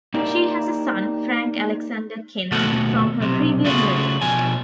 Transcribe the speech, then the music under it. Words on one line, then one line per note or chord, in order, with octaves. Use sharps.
She has a son, Frank Alexander Kennan, from her previous marriage.
A#3 D#4 E4 G4 A#4 D5
D#2 B2 A3 F#4 A4 F#5
B1 C3
C#3 A3 F4 F#4
B2 F3 G#5